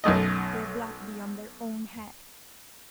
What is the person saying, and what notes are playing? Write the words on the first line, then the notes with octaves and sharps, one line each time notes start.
Their blood be on their own head!
B1 F#2 A3 D#5